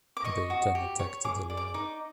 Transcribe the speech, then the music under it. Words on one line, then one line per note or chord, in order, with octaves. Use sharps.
They then attacked the Luo.
D6
D#5 C#6
F#4
G4
C#5
G#4 D6
D5
D6
D#4 D6